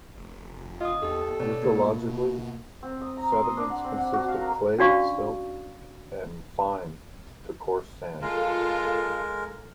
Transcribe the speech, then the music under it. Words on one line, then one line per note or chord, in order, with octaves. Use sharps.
Lithologically, sediments consist of clay, silt and fine to coarse sand.
F1
F4 D#5 D#6
E2 D#4 G4 A4
B2 C#5 D5 A5
A#3 F4
C4
D#6
A#5
C6
D#6
D4
F#5
C4
F#5
F#4
F5
A#4
C#4 D4 F#4 D5 F5 C#6
G#3 F4 A4 A#4